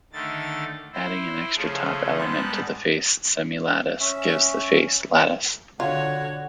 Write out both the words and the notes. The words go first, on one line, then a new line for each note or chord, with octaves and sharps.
Adding an extra top element to the face semilattice gives the face lattice.
D3 D#3 A3 A6
E4 C5
C#3 F3 A3 G#4 A4
G#2 G3 G#3 B3 A5 F#6
C#4 E5
D3 F4 F#4 C#5